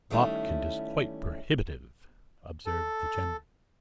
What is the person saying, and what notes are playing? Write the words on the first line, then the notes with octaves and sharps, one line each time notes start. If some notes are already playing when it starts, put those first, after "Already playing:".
"Botkin is quite prohibitive," observed the general.
D#3 G3 A3 C#4 E4
A4